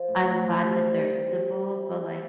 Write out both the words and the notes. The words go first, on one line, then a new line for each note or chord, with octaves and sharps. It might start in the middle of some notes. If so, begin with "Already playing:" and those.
I'm glad that they're civil, but, like,
Already playing: F3
A2
C4
A2
C3
C3
G3
C3
C3
C3
E3
E3
E3
E4
A3